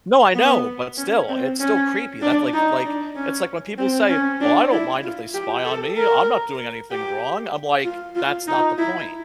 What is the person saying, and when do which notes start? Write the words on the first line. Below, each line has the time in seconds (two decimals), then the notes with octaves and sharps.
No, I know but still it's still creepy, thats, like like, it's, like, when people say, "Well, I don't mind if they spy on me. I'm not doing anything wrong." I'm, like, "That's not the point."
0.34 B3
0.97 C#4
1.29 C4
1.60 C#4
2.22 D4
2.53 D#4
2.84 D4
3.15 C#4
3.78 C4
4.09 C#4
4.41 D4
4.71 E4
5.03 F4
5.34 G4
5.65 A4
5.97 A#4
6.91 G4
7.84 F4
8.15 F4
8.47 D#4
8.78 E4